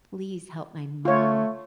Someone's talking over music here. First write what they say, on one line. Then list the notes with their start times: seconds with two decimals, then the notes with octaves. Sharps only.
"Please help my mom,
1.05 A3 F4 C#5